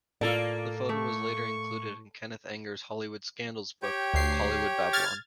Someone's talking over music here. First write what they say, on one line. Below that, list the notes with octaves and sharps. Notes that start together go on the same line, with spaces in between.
The photo was later included in Kenneth Anger's Hollywood scandals book, "Hollywood Babylon".
A2 A#3 F4 A4 D5
A3 C#6
G4 C#5 G5
D2 C7
F6 G#6 A6